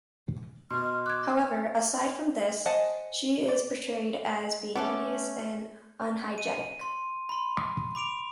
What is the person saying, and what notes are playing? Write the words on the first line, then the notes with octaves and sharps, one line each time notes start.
However, aside from this, she is portrayed as being hideous and unhygienic.
B2 D#5 C6 F6
D6 F#6 G#6
C5 D#5 F#5 G#5 A5
D5
A3 B3 C#4 A4 D6
D#7
C6
B5 C6
B5 D6 D7 F7